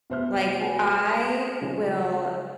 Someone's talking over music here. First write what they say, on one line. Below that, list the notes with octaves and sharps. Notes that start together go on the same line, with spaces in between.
Like, I will
F1 B3 C5 E5 F6
F#4 G#4 B4 D5 G#5 A5
D#6 A#6
C#3 F3 G#3 C#4